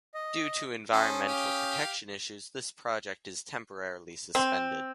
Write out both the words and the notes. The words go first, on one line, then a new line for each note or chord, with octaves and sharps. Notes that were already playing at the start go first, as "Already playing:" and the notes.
Due to environmental protection issues, this project is temporarily suspended.
D#5
C#4 A4 C5 D#6
G4 F5 G5
C4